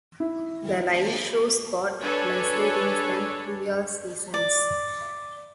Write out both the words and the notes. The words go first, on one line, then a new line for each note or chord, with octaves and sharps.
The live shows got less ratings than previous seasons.
E4
D4 A4 B4 C#5 G#5
D5